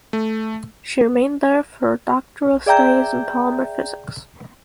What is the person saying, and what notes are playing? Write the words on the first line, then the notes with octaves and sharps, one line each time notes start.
She remained there for her doctoral studies in polymer physics.
A3
G#4 D5 E5 G5 A#5 G6